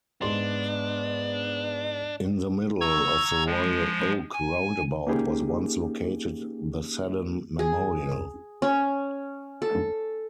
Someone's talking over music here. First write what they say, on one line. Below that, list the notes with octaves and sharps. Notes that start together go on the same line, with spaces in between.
In the middle of the Royal Oak Roundabout was once located the Seddon Memorial.
G#2 B3 D4 C6
A#5 C#6 E6 G#6
F3 G#3
G#5
A#3 C#4 D#4 G4 G#4
G#4
C#4
A4